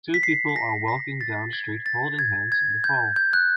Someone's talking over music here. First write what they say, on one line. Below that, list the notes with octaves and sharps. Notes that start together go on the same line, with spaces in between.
Two people are walking down the street holding hands in the fall.
B6
C7
B6
A#6
A#6
A6
G#6
A6
G#6
G#6
G6
G6
F#6